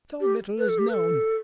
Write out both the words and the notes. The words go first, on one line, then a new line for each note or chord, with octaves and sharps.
"So little is known."
G4
B4
A4
G4
B4
A4